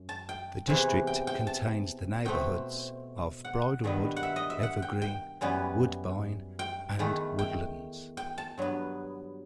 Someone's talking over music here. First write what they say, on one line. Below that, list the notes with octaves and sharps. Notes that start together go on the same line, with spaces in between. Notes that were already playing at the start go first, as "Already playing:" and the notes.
The district contains the neighbourhoods of Bridlewood, Evergreen, Woodbine, and Woodlands.
Already playing: F#2
A5
G5
E2 C3 E3
G5
G5
A5
B2 A3 C4 G5
F#5
G2 D#3 G3 B3
F#5
E5
D#5
E5
F#5
G5
G5
F#2 E3 G3 B3
G5
E2 D#3 A3
G5
G5
A5
G2 F#3 B3